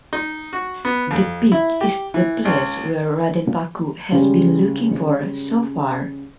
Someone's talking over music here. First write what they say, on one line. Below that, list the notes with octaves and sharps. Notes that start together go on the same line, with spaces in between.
The peak is the place where Raden Paku has been looking for so far.
D#4
F#4
B3
F2
E4
G4
E3
C#2
C#3 G3 G#3